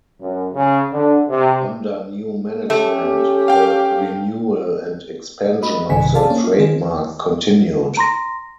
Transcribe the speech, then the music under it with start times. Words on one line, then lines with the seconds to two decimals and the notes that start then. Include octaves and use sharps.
Under new management the renewal and expansion of the trademark continued.
0.21 F#2
0.54 C#3
0.93 D3
1.29 C3
2.70 A3 C#4 G4
3.48 F5 G5
5.63 F#4 D#5 B5
5.90 A#1 G2 C3 D#3 G#5 B6
6.15 G#4 C5 D5 F5 A5
6.30 A#3 C#4
6.44 F4
6.59 D#3 C4 G#4
7.97 A#5 C6 A#6